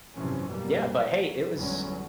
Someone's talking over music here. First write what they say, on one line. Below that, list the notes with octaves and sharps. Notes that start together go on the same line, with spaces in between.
Yeah, but, hey, it was
G#1 F#2 C3 E3 F3 C#4
B2 G3 A#3
F#3
G1 E2 F#3 G#3 C#4